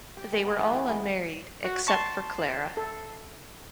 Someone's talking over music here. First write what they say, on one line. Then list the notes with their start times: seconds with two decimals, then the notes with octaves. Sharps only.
They were all unmarried except for Clara.
0.17 G4
0.32 G#3
0.46 B3
0.59 E3 B3
0.72 E3 A3 G4
0.89 G#3
1.64 F#4
1.88 A5 C6 C#6
2.77 A4